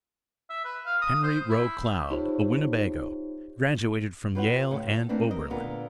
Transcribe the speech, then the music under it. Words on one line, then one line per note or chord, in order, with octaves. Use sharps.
Henry Roe Cloud, a Winnebago, graduated from Yale and Oberlin.
E5
B4
F5
D#6
C5
E4
D#4 F4 G4 C5 C#5
F4 G4 B4 C#5 D#5 F#5
A2 C#3 A3
A4
A3 A#3 C4 D4 B4
A#4 D#5
A#2 D3 B3 A#4 D5